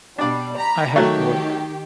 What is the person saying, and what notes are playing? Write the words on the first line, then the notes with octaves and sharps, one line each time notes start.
I have to work.
B2 G3 D4 D5
A#5 B5
D#3 F#3 A3 G4